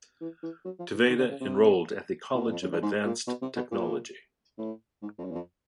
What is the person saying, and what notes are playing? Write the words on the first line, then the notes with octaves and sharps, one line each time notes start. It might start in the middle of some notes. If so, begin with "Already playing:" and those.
Tvede enrolled at the College of Advanced Technology.
E3
E3
F#3
F3
E3
D#3
D3
C#3
C3
A#2
B2
E2
F2
F#2
G2
G#2
A#2
B2
C3
B2
A#2
A2
G#2
F2
F#2
E2
F2